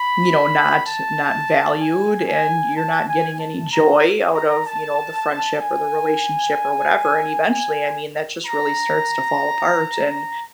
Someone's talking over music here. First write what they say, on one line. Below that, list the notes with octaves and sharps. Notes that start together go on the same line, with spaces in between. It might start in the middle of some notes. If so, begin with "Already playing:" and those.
you know, not not valued, and you're not getting any joy out of, you know, the friendship or the relationship or whatever, and, eventually, I mean, that just really starts to fall apart, and,
Already playing: B5
A5
G#5
G#5
A5
G#5
A5
A#5
A#5
A5
G#5
G#5
A#5